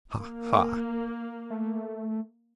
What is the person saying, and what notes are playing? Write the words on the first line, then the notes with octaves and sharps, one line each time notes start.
Ha, ha!
A#3
A3